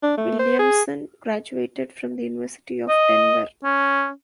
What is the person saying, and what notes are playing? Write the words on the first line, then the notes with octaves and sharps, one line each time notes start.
Williamson graduated from the University of Denver.
D4
A3
C5
G#4
D#5
C#4